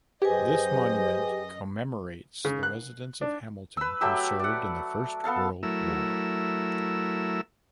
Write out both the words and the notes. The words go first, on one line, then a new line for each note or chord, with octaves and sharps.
This monument commemorates the residents of Hamilton who served in the First World War.
F#2 G4 G#4 B4 C5 D#5 G#5
C#3
F#6
D4
B4 E6
F#3 A3 G4 E6
D5 F#5
B3 A4 F5 A5
F#3 A3 E4 A#4 E6